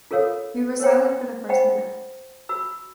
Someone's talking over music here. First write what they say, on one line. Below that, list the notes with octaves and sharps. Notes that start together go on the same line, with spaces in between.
We were silent for the first minute.
F4 A4 A#4 C#5 F5 D#6
A#4 C5 C#5 G5
C5 D#5 F#5 G5 B5
F#4 B5 E6